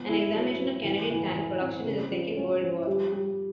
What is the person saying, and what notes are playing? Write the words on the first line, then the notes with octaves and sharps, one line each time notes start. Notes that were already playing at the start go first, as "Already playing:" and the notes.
An examination of Canadian tank production in the Second World War.
Already playing: F3 B3
E4
F#3
F#3
E3
E3
E3
C4
C#3
F3
C#4
F3
G3
G3